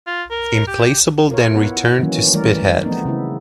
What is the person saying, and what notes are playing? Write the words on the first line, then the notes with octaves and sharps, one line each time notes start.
"Implacable" then returned to Spithead.
F4
A#4
G4
G4
F4 A#4 C#5
B3 E4 F#5
D#3 E3 F#3 A#3 C#4
E3 G3 A3 A#4 D5
F3 A3 B3 C4 D#4
C#3 B3 E4